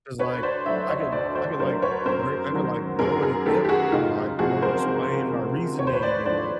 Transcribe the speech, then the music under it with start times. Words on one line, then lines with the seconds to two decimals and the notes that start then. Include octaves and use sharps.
'cause like I could I could, like, bring I could, like, go in depth and like, you know, explain my reasoning and, like,
0.19 D2 B4 C#5
0.43 C5 D5
0.66 D3 F#3 D5 E5
0.89 C#5 D#5
1.12 D2 C5 D5
1.35 C5 D5
1.59 D3 F#3 A#4 C5
1.82 B4 C#5
2.06 F#2 A#4 C5
2.52 D#3 F#3
2.99 F#2 G#4 A#4
3.22 G#4 A#4
3.46 D#3 F#3 G4 A4
3.65 G4
3.69 F#4 G#4
3.92 C#2 D#4 F4
4.39 C3 F3 F#4 G#4
4.62 A#4 C5
4.86 C#2
5.32 C3 F3
5.79 D#2 C#5
5.87 C5
5.93 B4 C#5
6.02 C5 D5
6.25 D3 F3 C5 D5